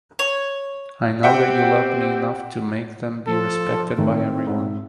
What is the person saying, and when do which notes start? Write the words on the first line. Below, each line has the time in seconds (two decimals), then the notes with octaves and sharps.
I know that you love me enough to make them be respected by everyone.
0.19 C#5
1.23 C4 G4 E5 F#5 G5
3.27 F3 A4
3.98 D#3 A3 C4 E5
4.47 G#2